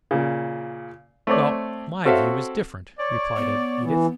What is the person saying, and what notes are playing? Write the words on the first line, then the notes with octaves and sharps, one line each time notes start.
"Well, my view is different," replied Edith.
A#2 C#3
A3 C4 C#5 D5
C4 F#4 A4 C#5 E5 F5
C#5 D5
B3
E3